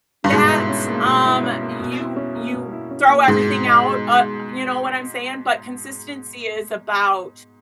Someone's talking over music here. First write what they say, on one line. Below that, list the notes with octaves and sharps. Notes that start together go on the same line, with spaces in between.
that, um, you you throw everything out, uh, you know what I'm saying? But consistency is about
G2
G#2 B2
E4
C#4
A#3
B2
E4
C#4
A#3
B2
E4
C#4
A#3
B2
E4
C#4
A#3
G#2 B2
B2
D#4
G#3